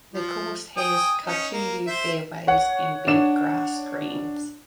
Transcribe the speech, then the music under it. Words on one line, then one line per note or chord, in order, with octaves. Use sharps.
The course has Kikuyu fairways and Bentgrass greens.
F3
G5 G#5 D#6
C#4 D#4
A#3
C5 E5
C#5 F#5
D4 E7